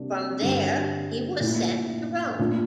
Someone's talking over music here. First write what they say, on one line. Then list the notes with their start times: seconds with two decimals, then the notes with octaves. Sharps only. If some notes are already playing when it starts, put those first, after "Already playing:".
From there he was sent to Rome.
Already playing: C3 G3 A#3 D4
0.42 G2 D3 G3 D4
1.41 A#2 A3 E4
2.39 A#2 A3 D4 F4